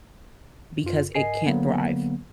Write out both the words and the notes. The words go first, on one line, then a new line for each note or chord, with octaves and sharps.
because it can't thrive.
F#2 F4
G#2 A#4 D#5 G#5 C7
D3 F#3 A#3 B3